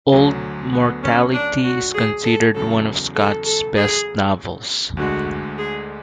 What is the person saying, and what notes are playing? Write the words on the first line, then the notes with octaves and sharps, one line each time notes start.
"Old Mortality" is considered one of Scott's best novels.
D2 D3 F#3
B3
C#4
D4
F#4
G#4
A4
E2 C#3 F#3 A4
A4
A4
G#4
D2 D3 G#3 F#4
G#4